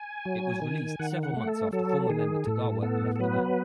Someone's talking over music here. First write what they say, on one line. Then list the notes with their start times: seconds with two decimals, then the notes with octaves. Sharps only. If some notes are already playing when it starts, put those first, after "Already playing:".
It was released several months after former member Tagawa left the band.
Already playing: G#5
0.25 F#3
0.62 D#3
0.99 D#3 F#5
1.23 F#5
1.36 A3
1.47 A4
1.72 F#3 A4
2.09 D#3 G#4
2.46 A2 A4
2.82 B3 A4
3.16 A4
3.19 F#3 B4